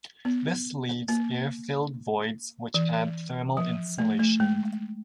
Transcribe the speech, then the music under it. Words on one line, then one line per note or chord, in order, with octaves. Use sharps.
This leaves air filled voids which add thermal insulation.
B3
A#3
E3
F3
A3
A3
G#3